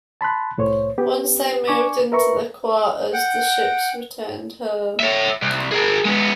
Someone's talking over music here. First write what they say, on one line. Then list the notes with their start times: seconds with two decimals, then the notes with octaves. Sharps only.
Once they moved into the quarters, the ships returned home.
0.21 A5 B5 C6 F#6
0.58 C2 A2 C5 C#5
0.98 B3 G4
1.68 D4 G#5 C#6 D6
2.12 A#4 B4 E5 A#5 C#6
3.13 F#5 G5
5.00 C#5 E5
5.42 C2
5.72 G#4 A#4
6.05 G#3 B3